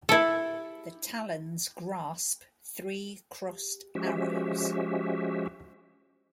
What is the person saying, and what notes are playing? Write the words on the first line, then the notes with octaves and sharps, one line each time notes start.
The talons grasp three crossed arrows.
E4 A4
F3 G#3 C#4 F#4 G4 E5